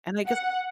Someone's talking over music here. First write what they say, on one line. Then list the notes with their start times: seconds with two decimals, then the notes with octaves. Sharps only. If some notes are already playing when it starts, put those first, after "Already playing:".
And I guess
0.27 F#5